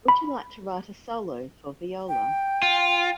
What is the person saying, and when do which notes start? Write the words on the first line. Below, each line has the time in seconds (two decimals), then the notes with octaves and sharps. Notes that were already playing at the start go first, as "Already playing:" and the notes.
Would you like to write a solo for viola?
0.08 B5
2.09 G5
2.62 F4